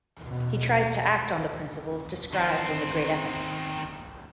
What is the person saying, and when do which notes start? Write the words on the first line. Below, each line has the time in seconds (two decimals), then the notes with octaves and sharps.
He tries to act on the principles described in the great epic.
0.25 B2
2.33 D#3 C4